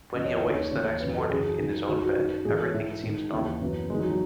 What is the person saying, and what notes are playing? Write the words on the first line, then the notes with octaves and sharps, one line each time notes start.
When he awakes the next morning, in his own bed, everything seems normal.
F#2 C#3 E3 D#5
C#5
B4
D#2 D#3 C#5
D#2 C#3 E3 C#5
F#2 C#3 E3 B4
A4
F#2 C#3 E3 G#4
F#2 D#3
F#2 D#3 F#4
F#4
F#2 D#3 F#4
G#2 E3 G#4
A4
C#5
G#2 E3 E4
G#2 D#3
D#2 C#3 E3 E4
F#2 E3 B3
E2 D#3 G#3
F#3
F#3